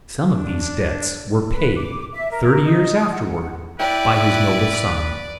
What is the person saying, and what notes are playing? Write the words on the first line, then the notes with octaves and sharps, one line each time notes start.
Some of these debts were paid, thirty years afterward, by his noble son.
D4
B4
D6
E5
A#4
D#4
D#6
F#5
E4 B4 D5 G5